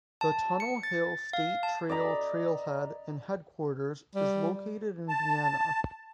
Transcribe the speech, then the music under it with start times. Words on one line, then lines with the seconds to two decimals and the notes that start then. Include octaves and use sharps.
The Tunnel Hill State Trail trail-head and headquarters is located in Vienna.
0.21 A5
0.60 C#7
0.83 A6
1.33 F5
1.63 A5
1.89 D5 D#5 A#5 B5
4.15 G3
5.09 A5